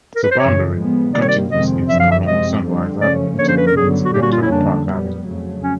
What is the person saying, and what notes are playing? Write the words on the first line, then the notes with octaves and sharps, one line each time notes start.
The boundary continues east along Sunrise Avenue until it meets Victoria Park Avenue.
A#4
B4
C5
F#2 C#3 E3 C#5
A2 F3 G#3 B3
C3 D#3 G3 A#3 D5
C#5
D5
F2 C3 D#3 G#3 C4 D#5
F#2 D3 F3 E5
F5
E5
C3 F3 G#3 C4 D#5
D3 G3 C4
C#3 F3 A3 C#4 D5
D3 F3 A#3 C#4 C#5
C5
B4
A#4
G2 D3 F#3 B3 G#4
F#4
A#2 G3 A#3 C#4 G4
F#4
F4
E4
F2 D3 G3 D4
A#2 G3 B3
F2 C#3 F#3 A3
C#4